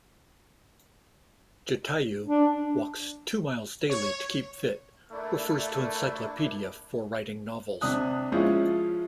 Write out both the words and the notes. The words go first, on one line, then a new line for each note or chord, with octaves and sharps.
Jatayu walks two miles daily to keep fit, refers to encyclopaedia for writing novels.
D4
C#5
A3 A#3 D4 E4
C3 D4 D#6 F#6
F3 G#3 C#4 E4 F4